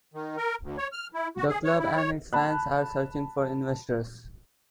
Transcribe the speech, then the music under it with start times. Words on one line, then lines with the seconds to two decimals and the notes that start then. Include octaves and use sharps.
The club and its fans are searching for investors.
0.14 D#3
0.37 A#4
0.62 D2
0.78 C#5
0.92 F6
1.14 E4
1.37 F#4
1.49 G#4
1.64 C#5
1.79 E4
1.96 C#5
2.33 A5 B5 F#6